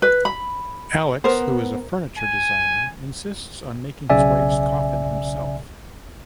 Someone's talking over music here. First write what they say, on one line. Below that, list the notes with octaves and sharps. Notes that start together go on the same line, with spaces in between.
Alex, who is a furniture designer, insists on making his wife's coffin himself.
B4
B5
B3 A#4 C5
G#5
B1 C#3 D5 E5 G#5